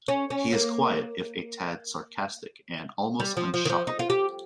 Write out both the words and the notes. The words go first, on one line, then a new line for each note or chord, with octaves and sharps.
He is quiet, if a tad sarcastic, and almost unshockable.
C#4
C#4
A#3
G3
F3
F3
D#3
F3
D#4
F4
G4